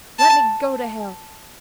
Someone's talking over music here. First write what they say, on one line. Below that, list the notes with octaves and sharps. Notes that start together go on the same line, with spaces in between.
Let me go to hell!
A5